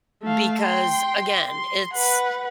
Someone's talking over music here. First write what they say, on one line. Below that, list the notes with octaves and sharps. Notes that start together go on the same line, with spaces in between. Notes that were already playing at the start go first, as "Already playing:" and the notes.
because, again, it's
A3 F5
G5 C6
C6
B4 F#5